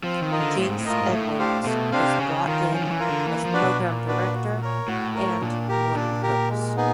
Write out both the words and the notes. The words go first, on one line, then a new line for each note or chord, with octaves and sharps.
Jace Edwards was brought in as Program Director and Morning Host.
F3 C4
D#3
F4 A#4 D#5
D3
A2 C4
G#2
A2
F4 A#4 D#5
G#2
A2 A3
D4 G4 C5 F5
B2 A3
C3 D4 G4 C5 F5
C#3 C#4
D#3 F4 A#4
F3 C#4
D#3
E3
F4 A#4
D3
E3 A#3
F3
D4 F#4 B4 D5
B2
A#2 A#3
D4 F#4 B4 D5
F#4
A#4 C#5
A2 F#4
A#4 C#5
A#2 D4
G4 A#4
A#2 D4
G4 A#4
G#3
B3 D#4 G#4